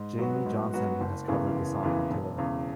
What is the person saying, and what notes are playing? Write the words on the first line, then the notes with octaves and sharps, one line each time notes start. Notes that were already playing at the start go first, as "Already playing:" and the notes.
Jamey Johnson has covered the song on tour.
Already playing: G#2
F#3 B3 F#4
G#2
F#3 B3 F#4
F#1
E2 C#3 E3
F#1
E2 C#3 E3
E1
E2 C#3